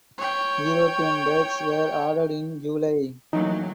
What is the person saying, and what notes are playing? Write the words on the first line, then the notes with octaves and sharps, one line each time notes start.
European dates were added in July.
C#5 G5
E3 F#3 A3 A#3 D#4